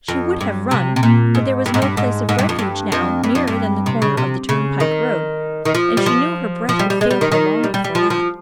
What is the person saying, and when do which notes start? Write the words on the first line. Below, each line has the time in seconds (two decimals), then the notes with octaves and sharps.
She would have run, but there was no place of refuge now nearer than the corner of the turnpike-road, and she knew her breath would fail her long before that.
0.08 F2
0.41 G2
0.71 C3
0.96 C3
1.03 A#2
1.35 G#2
1.66 G2
1.74 G#2
1.82 G2
1.97 G#2
2.29 G#2
2.39 G2
2.49 F2
2.59 G2
2.92 F2
3.24 G2
3.35 F2
3.47 G2
3.86 C3
4.02 C#3
4.17 C3
4.49 C#3
4.80 D#3
5.65 D#3
5.75 F3
5.97 G3
6.06 F3
6.69 F3
6.79 G3
6.90 G3
7.01 G#3
7.11 G3
7.21 D#3
7.32 D#3
7.64 G3
7.74 G3
7.84 G3
7.95 F3
8.10 F3